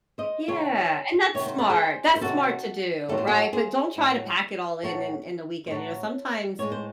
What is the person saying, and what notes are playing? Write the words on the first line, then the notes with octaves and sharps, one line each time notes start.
Yeah, and that's smart, that's smart to do, right? But don't try to pack it all in in in the weekend, you know, sometimes,
C5 D#5
C3 D#3 F#3 A4 C#5
C3 D#3 F#3 C#5
C5
A4
G#4 C5
C5
C3 D#3 F#3 F#4 A4
A2 F#3 A4
C5
F#4 A4
G#4 C5
A2 F#3
A2 F#3 A4 C#5
C5
A2 F#3 A4 C#5
A2 G#3 C#5
C5